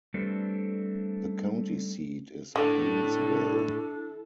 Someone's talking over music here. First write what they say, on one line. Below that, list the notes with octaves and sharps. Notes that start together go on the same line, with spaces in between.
The county seat is Painesville.
G3 A3 C4 D4 A4 B4
A2 D3 D4 E4 A4